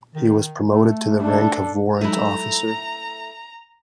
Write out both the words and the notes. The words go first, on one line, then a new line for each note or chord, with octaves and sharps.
He was promoted to the rank of warrant officer.
D#3
A3
D4 A4
F#3 G#3 A3 D#4 E4 A#5